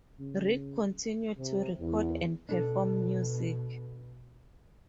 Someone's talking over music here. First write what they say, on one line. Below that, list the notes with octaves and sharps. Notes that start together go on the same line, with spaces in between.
Rick continued to record and perform music.
C#3
C3
E2
B2 D4 A4